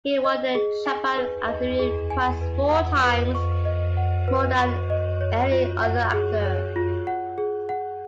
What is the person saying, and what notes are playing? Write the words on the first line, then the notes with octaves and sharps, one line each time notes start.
He won the Japan Academy Prize four times, more than any other actor.
D#5
G#4
G#5
B4
D#5
G#4
G#5
B4
F#5
B4
C#6
D#5
F#5
B4
C#6
D#5
C#5
F4
F#5
G#4
C#5
F4
F#5
G#4
F#5